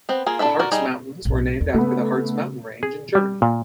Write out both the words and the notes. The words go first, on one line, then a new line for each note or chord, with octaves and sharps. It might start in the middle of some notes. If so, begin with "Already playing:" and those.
The Hartz Mountains were named after the Harz mountain range in Germany.
B3 C4
A#3 F4 G#4
D4 E4 A4 E5
F#4 A#4 D5
G3 D#4 G#4
B1 A2
E2
C#3 A3 B3
G#4
G3
A#2